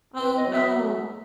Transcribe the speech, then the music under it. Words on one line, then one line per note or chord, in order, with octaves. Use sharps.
Oh no.
E2 B4
D#5
F#3
E5